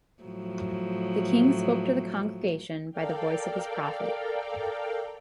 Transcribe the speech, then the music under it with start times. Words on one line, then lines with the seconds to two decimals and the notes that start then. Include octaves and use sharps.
The king spoke to the congregation by the voice of his prophet.
0.23 A2 F3 F#3
2.91 A4 A#4 D5 F5 G5